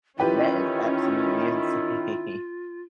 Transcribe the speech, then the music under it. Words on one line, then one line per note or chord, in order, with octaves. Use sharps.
That is absolutely insane.
D#3 E3 C#4 E4 F4 G4 B4